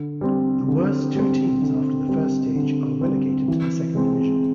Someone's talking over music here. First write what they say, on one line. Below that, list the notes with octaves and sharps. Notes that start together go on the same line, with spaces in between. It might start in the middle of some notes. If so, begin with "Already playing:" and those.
The worst two teams after the first stage are relegated to the second division.
Already playing: D3
G3 C4
D3
G3 C4
D3
G3 C4
D3
G3 C4
E3
G#3 C4